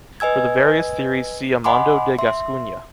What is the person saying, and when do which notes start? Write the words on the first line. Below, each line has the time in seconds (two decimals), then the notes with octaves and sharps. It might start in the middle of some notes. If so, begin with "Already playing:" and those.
For the various theories see Amando de Gascuña.
0.20 B4 D#5 G#5 E6 G#6
1.64 D#5 F#5 G#5 B5 C6 D6
2.19 E5 C6